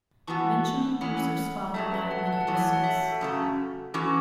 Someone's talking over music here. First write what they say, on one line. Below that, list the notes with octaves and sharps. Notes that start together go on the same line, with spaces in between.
Benjamin Pierce's father died when he was six.
E3 B3 F#4 A5 C#6
E2 E3 C#4 F#5 B5
F#2 F#3 A3 E5 A5
B4 E5
F#5
A5
F#5
A5
F#5
E2 E3 A3 F#4 A5
C#5 F#5
F#5
E5 A5
F#4
A4
F#2 C#3 A3 F#4
E3 C#4 E4 F#4 A4